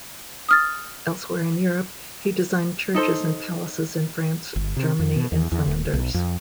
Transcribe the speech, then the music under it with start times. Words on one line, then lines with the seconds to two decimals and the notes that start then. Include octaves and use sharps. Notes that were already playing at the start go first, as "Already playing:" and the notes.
Elsewhere in Europe, he designed churches and palaces in France, Germany and Flanders.
0.49 D#6 F6 A6
2.95 D#4 A4 C5
4.56 G1
4.77 C3
4.99 F2
5.16 B2
5.32 E2
5.52 E2
5.66 D#1
5.93 B1
6.14 F2